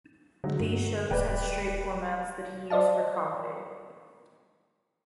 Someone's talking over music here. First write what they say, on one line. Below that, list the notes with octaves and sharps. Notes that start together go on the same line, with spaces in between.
These shows had straight formats that he used for comedy.
D3 F#3 G#3
G2
D#1 B4 D5 G5
C5 D5 D#5 F5 A5